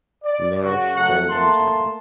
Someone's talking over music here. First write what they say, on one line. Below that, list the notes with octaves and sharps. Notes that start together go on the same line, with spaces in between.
Mirisch turned him down.
D5
F#2 C#3 F#4
F#3 A3 F#5
A3 A#3 A5 C6